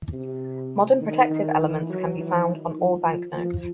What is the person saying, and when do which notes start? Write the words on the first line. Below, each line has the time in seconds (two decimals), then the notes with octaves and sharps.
Modern protective elements can be found on all banknotes.
0.13 C3
1.01 D#3
1.30 D#3
1.61 E3
1.89 F#3
2.20 E3
2.49 D#3
2.79 F3
3.08 F3
3.37 F3